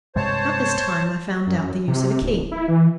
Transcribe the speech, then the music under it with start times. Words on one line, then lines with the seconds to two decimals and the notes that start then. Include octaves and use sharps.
About this time I found out the use of a key.
0.16 G2 C3 G#3 C5 C#5 A5
1.47 F#2
1.88 C3
2.21 D1
2.51 E4
2.68 E3